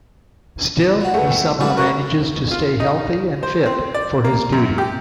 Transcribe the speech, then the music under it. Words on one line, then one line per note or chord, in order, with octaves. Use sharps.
Still he somehow manages to stay healthy and fit for his duty.
A#3 F#4
A3 G#4 A4 B4
G5
F#3 G3 A3 B4 F#5 A5
D4 F#4 A#4 B4 A5
F4
D#4
C5
C4
D5
A#3
F#2
G4